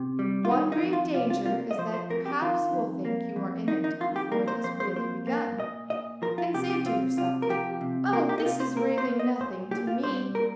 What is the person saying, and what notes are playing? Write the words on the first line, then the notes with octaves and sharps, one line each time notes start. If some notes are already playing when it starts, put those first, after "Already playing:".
One great danger is that perhaps you will think you are in it before it has really begun, and say to yourself, 'Oh! this is really nothing to me.
Already playing: C3
G3
F4
D#3 D#4
D#4
F2
F4
C3 F4
F4
A#3 F4
D#5
F3 C5
C5
F2 A#4
G4
D#3 F4
F2
A#3
F2
D#3 D#4
D#4
F2 F4
G4
A#3 A#4
C5
F2 C5
C5
A#3 C5
A#3
A#2 D#5
A#2 D#5
F3 A#4
F4
C3 G4
G4
C4 F4
C3 F4
A#4
F3 G4
C3
A#3 A#4
G4
D#4
C3 F4
C5
A#3 A#4
C5
A#3
D#5
A#2 C5
A#2 G4
F4
G3 C5
A#2 A#4